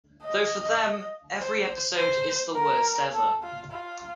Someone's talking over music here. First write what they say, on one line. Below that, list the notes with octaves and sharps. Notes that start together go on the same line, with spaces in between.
Though for them, every episode is the worst ever.
D#5
C5
C5
A#4
A4
F4
F4